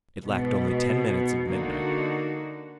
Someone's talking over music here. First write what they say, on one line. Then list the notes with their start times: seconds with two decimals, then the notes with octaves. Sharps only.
It lacked only ten minutes of midnight.
0.25 G#2 B2 B3
1.48 D3 A#3 D#4 F#4